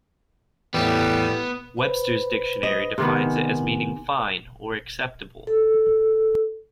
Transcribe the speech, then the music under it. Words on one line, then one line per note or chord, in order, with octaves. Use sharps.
Webster's Dictionary defines it as meaning "fine" or "acceptable".
E2 A2 G3 B3
B4 C5 B5
D#5
C3 D#3 B3
G#5
A4